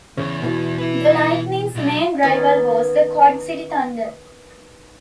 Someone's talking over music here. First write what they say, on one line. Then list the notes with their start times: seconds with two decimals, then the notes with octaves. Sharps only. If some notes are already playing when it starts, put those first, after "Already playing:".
The Lightning's main rival was the Quad City Thunder.
0.17 E2 C#3
0.42 B2 E3
0.78 E4 B4
1.75 B2 F#3
2.23 D#3 B3 C#4 D5